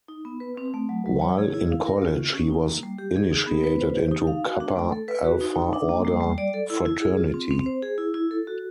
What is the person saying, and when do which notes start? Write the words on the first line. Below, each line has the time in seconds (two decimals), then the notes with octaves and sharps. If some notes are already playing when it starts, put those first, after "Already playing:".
While in college he was initiated into Kappa Alpha Order fraternity.
0.08 D#4
0.25 B3
0.40 B4
0.57 C4
0.74 A3
0.89 F#3
1.06 F#3
1.22 C#5
1.38 G#4
1.54 E4
1.70 F5
1.87 A#4
2.02 F4
2.19 C#4
2.34 C#4
2.50 D#4
2.66 A#3
2.83 G3
2.98 G4
3.16 G#4
3.31 D#4
3.47 B3
3.64 B4
3.79 C5
3.96 G4
4.11 D#4
4.27 F5
4.45 F#4
4.60 D4
4.76 A3
4.92 A4
5.08 B4
5.24 F#4
5.41 D#4
5.57 D#4
5.73 D4
5.89 A#3
6.05 G3
6.21 G3
6.38 D5
6.54 A4
6.70 E4
6.85 E4
7.01 G#4
7.17 F4
7.34 C4
7.51 C4
7.66 C5
7.82 G#4
7.98 E4
8.14 E4
8.31 A4
8.47 F#4